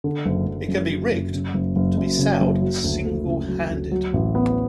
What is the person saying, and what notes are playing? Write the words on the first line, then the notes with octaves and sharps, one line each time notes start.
It can be rigged to be sailed single-handed.
D3
F#1
F#1
F#2
D3
F#1
C#3
F#1
F#1
F#2
C#3
F#1
F#3
D2
A3
C#3
F#3
D2
F#3
A1
B3